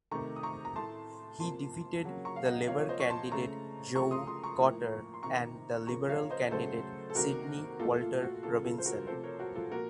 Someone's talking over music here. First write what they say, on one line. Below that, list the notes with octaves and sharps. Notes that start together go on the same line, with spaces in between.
He defeated the Labour candidate Joe Cotter and the Liberal candidate Sydney Walter Robinson.
C3 D#3 A3 A#5 C#6
D#6
A#5 C#6
A#5
A2 A3 A5 C6
C3 F3 A#3 A5 C6
C#3 F#3 A#3
A#5 C#6
F5
D#5 F#5
C3 F3 A#3 C#5 F5
C#5
C5 D#5
C#6
A5 C6
C#3 A3 A#5 C#6
C#3 F3 A3 A#5 C#6
C6 D#6
C6 D#6
A#5 C#6
A2 F3 A#3
C6
C3 D#3 A#3 A#5 C#6
C#3 F3 A#3 A#5 C#6
C#5 F5
C5 D#5
C#3 F#3 A3 A4 C5
A4
C3 D#3 A#3 F#4 A#4
A#2 A3 F4 A4
F4
F#4
C#3 F3 A#3 F4 A4
F4 A4
C5
F#4 A#4
C3 F3 A3 A4 C5
A#4 C#5
F#4 A#4
F4 A4
A#2 F3 A#3 F#4 A#4